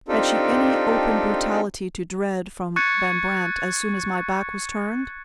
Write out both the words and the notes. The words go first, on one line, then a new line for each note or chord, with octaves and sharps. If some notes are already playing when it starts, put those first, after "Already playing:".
Had she any open brutality to dread from Van Brandt as soon as my back was turned?
C4 D4 D#4 F4 G4 A4
C#6 F#6 G#6 A6 C#7